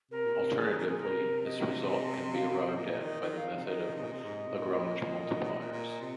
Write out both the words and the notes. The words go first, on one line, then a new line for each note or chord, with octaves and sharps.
Alternatively, this result can be arrived at by the method of Lagrange multipliers.
C3 A#4
A#2
C3
D#3 G#4
D#3
C3 G#4
A#2
C3 A#4
D#5
D#5
D#5
F5
C5
A#2 D#5
D#3
D#5
D#3
F5
C3
D#3 D#5
C3
A#2
C3 D#5
G#2
C3
A#2
A#2
C3
A#2
A#2
C3